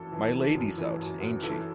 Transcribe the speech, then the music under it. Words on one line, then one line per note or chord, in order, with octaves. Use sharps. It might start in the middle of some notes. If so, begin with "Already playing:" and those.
My Lady's out, ain't she?
Already playing: F#2 E3 A4
E3
E3
F#2
E3
F#2
F#2
E3 A4